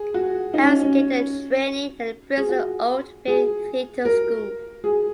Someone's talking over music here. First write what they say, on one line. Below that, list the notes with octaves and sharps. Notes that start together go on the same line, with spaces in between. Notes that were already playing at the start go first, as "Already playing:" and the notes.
Harris gained her training at the Bristol Old Vic Theatre School.
Already playing: G#4
F#4
D#4
C#4
C#4
G#4
F#4
G#4
A#4
G#4